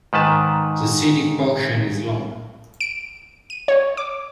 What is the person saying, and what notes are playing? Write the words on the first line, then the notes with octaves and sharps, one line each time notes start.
The scenic portion is long.
G#2 D#3 B4 A5
D7
D#7
C#5
D6